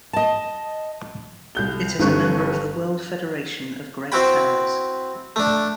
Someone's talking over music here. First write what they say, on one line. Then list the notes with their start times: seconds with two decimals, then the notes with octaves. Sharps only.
It is a member of the World Federation of Great Towers.
0.13 D#5 A5
1.55 C2 G6 G7
1.99 G1 G2 D3 C4 C#6 F#6
4.12 C4 E4 F#4 G5 B5
5.36 A3 D4